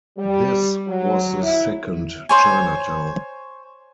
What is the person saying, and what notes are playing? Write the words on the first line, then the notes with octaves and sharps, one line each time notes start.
This was the second Chinatown.
G3
F#3
E4
C5 C#5 G#5